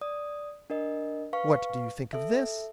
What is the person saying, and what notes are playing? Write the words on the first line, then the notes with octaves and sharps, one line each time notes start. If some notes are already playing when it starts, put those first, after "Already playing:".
"What do you think of this?"
D5 D#6
D4 A#4 D#5
B4 F5 C#6
A4 E5